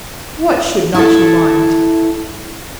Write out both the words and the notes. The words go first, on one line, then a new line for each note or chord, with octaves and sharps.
"What should not you mind?"
E4 A4